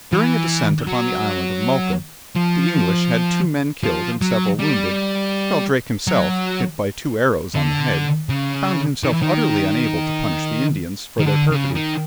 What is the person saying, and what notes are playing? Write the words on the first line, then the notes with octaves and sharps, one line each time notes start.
During a descent upon the island of Mocha, the English had two men killed and several wounded, while Drake himself, hit by two arrows on the head, found himself utterly unable to punish the Indians for their perfidy.
E3
F#3
F3
F3
F#3
G3
F#3
D3
C#3
D#3
E3
D#3
D#3
D3
C#3
D#3